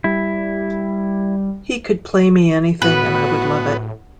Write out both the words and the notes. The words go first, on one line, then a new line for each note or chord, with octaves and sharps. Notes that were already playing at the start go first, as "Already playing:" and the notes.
He could play me anything, and I would love it.
G3 E4
A2 B3 F#4 B4